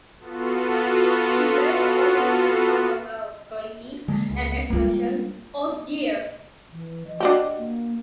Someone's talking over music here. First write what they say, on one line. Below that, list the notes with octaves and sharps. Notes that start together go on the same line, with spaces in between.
She based Olive's nasal vocal quality and expression, Oh, dear!
B3 F4 F#4 A4
D3 G#3 A#3
C#2
G3 G#3 A#3 F4
E3
D#5
D4 F#4 G4
A#3